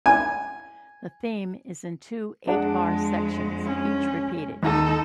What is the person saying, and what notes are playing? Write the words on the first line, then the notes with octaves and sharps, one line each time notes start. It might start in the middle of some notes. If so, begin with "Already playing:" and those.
The theme is in two eight-bar sections, each repeated.
G#5
F2 G#3 D4 G#4 D5 F#5
C#4
D#2 D#4 A4